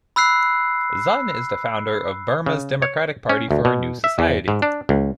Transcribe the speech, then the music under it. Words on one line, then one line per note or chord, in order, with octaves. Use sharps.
Zun is the founder of Burma's Democratic Party for a New Society.
B5 E6 F#6 C7
C#3
C#5
C#4
D2
B2
E5
E2
G#2
D4
C#2